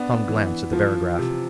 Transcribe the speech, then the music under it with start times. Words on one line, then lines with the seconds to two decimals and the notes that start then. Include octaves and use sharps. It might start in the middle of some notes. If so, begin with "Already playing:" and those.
Tom glanced at the barograph.
Already playing: B3 D4
0.28 E3
0.73 F3
1.19 C3